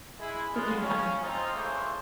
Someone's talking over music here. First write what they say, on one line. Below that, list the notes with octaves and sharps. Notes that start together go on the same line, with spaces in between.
N Yeah.
G#3 E4 G#4
G#3 B3 F4
C#3 C#4
C4 D#4 F4
A2 C#3 E3 G#3 A3 C5